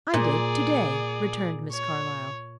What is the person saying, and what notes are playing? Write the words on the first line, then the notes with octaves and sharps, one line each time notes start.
"I did to-day," returned Miss Carlyle.
A#2 G#4 D5
C#5